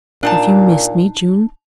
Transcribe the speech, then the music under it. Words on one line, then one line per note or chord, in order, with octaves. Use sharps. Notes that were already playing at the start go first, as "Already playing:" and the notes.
"Have you missed me, June?"
A#2 D4 D#4 A5